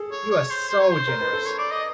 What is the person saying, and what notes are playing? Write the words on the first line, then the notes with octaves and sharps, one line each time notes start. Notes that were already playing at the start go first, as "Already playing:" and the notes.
You are so generous!
Already playing: G#4 A4
C#5
C#5
C5
C5
C#5
C5
A#4
B4
A4
C#5
D5
D#5